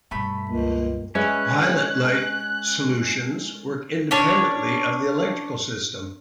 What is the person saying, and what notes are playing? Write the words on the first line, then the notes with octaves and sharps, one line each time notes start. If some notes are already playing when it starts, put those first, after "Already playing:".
Pilot light solutions work independently of the electrical system.
G2 B2 A3 B5
C#2 A#3
G#3 C#4 B4 E5 F#6
C#4 D4 C#5